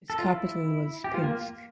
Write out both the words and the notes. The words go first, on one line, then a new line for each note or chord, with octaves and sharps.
Its capital was Pinsk.
A4
F4
E4
G4
F4
A#3